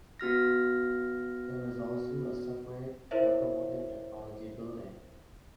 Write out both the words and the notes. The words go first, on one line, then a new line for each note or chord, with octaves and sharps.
There is also a separate automotive technology building.
B3 F#4 F6 A#6
E4 A#4 C5 C#5 E5